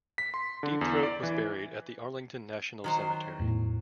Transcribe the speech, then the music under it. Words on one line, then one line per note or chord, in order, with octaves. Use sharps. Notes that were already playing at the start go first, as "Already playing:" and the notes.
Deep Throat was buried at the Arlington National Cemetery.
B6
C6
D3
E2
D5
E3
D#3 F#3 C5
E2 A2